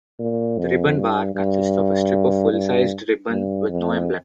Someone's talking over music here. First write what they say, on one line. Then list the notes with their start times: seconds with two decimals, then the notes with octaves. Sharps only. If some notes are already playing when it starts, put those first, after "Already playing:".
The ribbon bar consists of a strip of full-sized ribbon with no emblem.
0.19 A#2
0.58 F2
0.97 G2
1.35 G2
2.52 G2
3.29 G2
3.68 F2